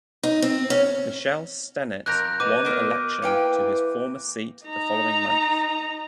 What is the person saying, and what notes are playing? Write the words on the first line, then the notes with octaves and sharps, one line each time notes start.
Michelle Stennett won election to his former seat the following month.
D#4
C4
C#4
F2 A#4 A#5 F#6 G6 A#6
B2 F#3 D6 D#7
B3 A#4
E3 A#3 F5 G5
D#4 A#5